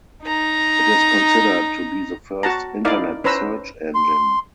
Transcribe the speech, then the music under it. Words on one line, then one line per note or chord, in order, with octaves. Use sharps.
It is considered to be the first Internet search engine.
D#4 A#5
F#4 F#5 A5 A#5
D#4 E4 A#4 D5 F5
C#4 B4 C5 A#5 E6
C6